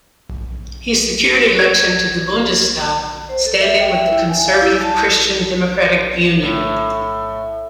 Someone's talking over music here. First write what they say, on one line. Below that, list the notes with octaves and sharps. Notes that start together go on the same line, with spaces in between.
He secured election to the Bundestag standing with the conservative Christian Democratic Union.
G#6
C5
A4
E5
G5
E5
E4
G#5
F5
E4
A5
A4
A2